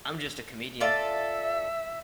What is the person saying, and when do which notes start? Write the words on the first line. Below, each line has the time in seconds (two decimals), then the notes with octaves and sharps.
I'm just a comedian.
0.80 F4 A4 D5 E5